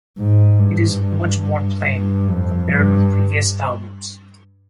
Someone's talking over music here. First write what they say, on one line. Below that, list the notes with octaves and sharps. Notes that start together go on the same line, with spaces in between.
It is much more plain compared with previous albums.
G#2
G2
G2
F2
G2